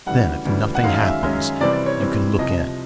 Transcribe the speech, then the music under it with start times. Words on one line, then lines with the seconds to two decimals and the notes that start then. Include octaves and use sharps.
Then, if nothing happens, you can look in.
0.06 D2 C#3 E3 G3 F#5
0.45 D2 C#3 E3 G3
0.75 F#5
0.83 F#2 D#3 G#3 C#4 F5
0.94 F5
1.03 E5
1.23 F#2 D#3 G#3 C#4
1.60 C3 E3 G3 C4 D5
1.73 D5
1.86 C#5
2.00 C3 E3 G3 C4
2.38 C2 C3 F3 D#5